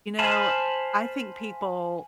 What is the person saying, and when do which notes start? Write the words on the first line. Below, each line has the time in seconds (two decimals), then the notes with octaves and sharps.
you know, I think people
0.19 C5 F5 G#5 A5 B5